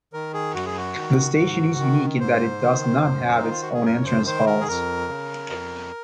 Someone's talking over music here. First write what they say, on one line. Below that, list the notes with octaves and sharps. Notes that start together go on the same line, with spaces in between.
The station is unique in that it does not have its own entrance halls.
D#3 A#4
G#4
F#2 F#4
G#4
F#4
D#3
G#2
D#3
G#2 C5
D#3
F#2
D#4
D#3
F4
F#4
G#4
F#2 A#4
C#5
C5
D#3 C5
A#4
G#4
F2 A#4
C#3
F2